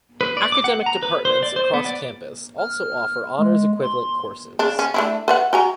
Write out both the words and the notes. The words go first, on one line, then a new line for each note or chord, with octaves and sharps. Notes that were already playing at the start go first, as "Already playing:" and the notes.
Academic departments across campus also offer honors equivalent courses.
B4
D5
D6
F#5
A#5
B4
C5
D5
C5
B3
D5
F6
G#3
C6
C#3 D4
C#4
A3 D4 E4
B4 E5 F#5
F#4 G#5 A#5